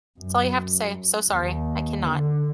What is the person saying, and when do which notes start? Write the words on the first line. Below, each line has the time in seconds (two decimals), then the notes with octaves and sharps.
That's all you have to say, "So sorry, I cannot."
0.20 F#2
1.31 D#2
2.06 D3